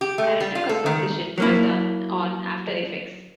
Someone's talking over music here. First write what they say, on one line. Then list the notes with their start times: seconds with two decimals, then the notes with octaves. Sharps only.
Character composition was done on After Effects.
0.01 G4
0.18 A3
0.40 G3
0.55 F4
0.69 A4
0.86 D#3
1.38 F#3 A#3 E4